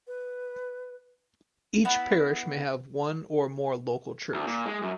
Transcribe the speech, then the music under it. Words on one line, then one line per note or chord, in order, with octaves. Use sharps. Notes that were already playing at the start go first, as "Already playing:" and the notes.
Each parish may have one or more local church.
B4
B3 E4 B5
D2
A#2
G#3
F#2